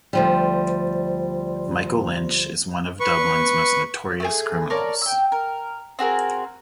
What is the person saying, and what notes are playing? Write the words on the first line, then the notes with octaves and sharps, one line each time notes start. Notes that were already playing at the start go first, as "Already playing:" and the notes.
Michael Lynch is one of Dublin's most notorious criminals.
D2 F3 G3
B4 C#6
A3 D#4 G#4
A#4 C#5 D5 A5
G5 E6
A#4
C4 F#4 G#4 A#4